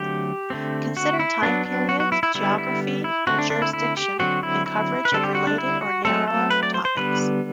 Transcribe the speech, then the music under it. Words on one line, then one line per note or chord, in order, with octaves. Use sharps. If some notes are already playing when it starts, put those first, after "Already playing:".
Consider time periods, geography or jurisdiction and coverage of related or narrower topics.
Already playing: D3 F#3 A3 C4 G4
D3 A3 C4
F#4
E4
F#3 B3 D4
D4
F#4
F#4
E4
E4
D3 G3 B3 E4
E4
E4
D3 A3 C4 F#4
D4
D4
E4
E4
G4
D3 F#3 C4 F#4
E4
E4
B4
D3 G3 C4 A4
G4
F#4
D4
E4
F#4
F#3 A3 C4 A4
A4
B4
D5
C5
C5
D3 G3 B3 B4